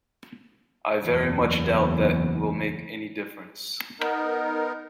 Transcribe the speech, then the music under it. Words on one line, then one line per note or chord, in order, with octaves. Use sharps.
I very much doubt that that will make any difference.
F#1 E2
B3 D#4 A#4